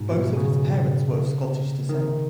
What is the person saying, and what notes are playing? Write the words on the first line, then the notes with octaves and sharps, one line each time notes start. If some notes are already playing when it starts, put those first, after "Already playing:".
Both of his parents were of Scottish descent.
Already playing: G#2 B2
B2
C#3
D#3